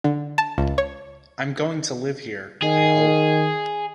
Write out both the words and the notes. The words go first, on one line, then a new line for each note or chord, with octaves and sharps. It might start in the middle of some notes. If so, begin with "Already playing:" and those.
I'm going to live here, I hope.
D3
A5
C#2
C#5
D#3 G#4